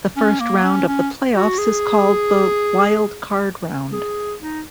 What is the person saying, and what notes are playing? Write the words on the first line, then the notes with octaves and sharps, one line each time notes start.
The first round of the playoffs is called the "Wild Card Round".
C#4
A#3
C#4
C#4
F#4
G#4
G#4
D#4